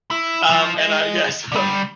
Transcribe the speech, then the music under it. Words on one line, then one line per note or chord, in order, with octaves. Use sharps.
um, and, uh, yeah, so
E4
F3
G#4 D#5
D3 G3